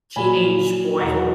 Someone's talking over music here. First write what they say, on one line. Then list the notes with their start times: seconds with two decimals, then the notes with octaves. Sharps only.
teenage boys,
0.16 A#2 F#3 G#5 B5
1.01 E2 B2 F#3 F#5 A#5